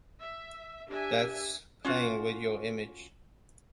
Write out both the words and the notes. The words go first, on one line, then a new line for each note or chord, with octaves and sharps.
That's playing with your image.
E5
D4 G4 E5 G#5
C#4 F4 F#4